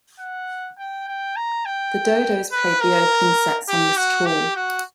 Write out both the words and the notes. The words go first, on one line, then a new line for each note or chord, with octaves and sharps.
The Dodos played the opening sets on this tour.
F#5
G5
G5
A#5
G5
B4
A#4
G4
F#4
G4
F#4